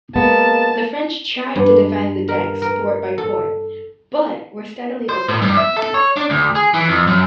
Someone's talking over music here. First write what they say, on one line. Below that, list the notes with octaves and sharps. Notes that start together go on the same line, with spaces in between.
The French tried to defend the decks port by port, but were steadily overwhelmed.
G#3 A#3 B3 A5
G2
A#4
A#4
A4
C5
A2
G2
E5
A4
C#5
D4
D2
G#4
E3
F2
F#2